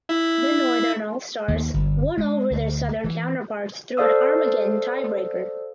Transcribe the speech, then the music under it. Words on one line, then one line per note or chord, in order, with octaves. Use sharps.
The Northern All Stars won over their Southern counterparts through an Armageddon tiebreaker.
E4
D#2
G1
G#3
D2
E3
A4 C5 D5 F5 D#6 E6